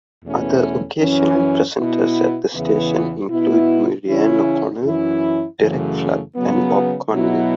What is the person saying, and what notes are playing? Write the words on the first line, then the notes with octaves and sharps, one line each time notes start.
Other occasional presenters at the station include Muireann O'Cononell, Derek Flood and Bob Conway.
E2 B2 A3 C#4 E4
F#2 E3 C#4
B2 B3 E4
E2 C#3 E3 B3 E4
B2 B3 E4
C#3 E3 C#4 E4
F#2 E3 C#4 E4
F#2 C#3 E3 A3
C#3 F#3 B3
B2 F#3 B3 E4